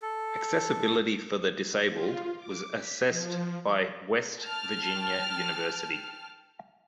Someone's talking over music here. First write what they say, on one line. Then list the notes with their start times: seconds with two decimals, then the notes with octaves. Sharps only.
Accessibility for the disabled was assessed by West Virginia University.
0.02 A4
1.88 F4
2.37 D6
2.75 B6
3.08 F3
4.40 G5 A5 F6